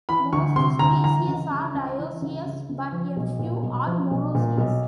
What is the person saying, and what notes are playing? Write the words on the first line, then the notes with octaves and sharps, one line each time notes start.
Most species are dioecious, but a few are monoecious.
E3 B5
D2 C#6
C3 C6
D2 A#5
E3 A#5
C#2
C#3
C#2
E3
C#2
C#3
C#2
F3
B1
A#2
B1
F3
B1
A#2
B1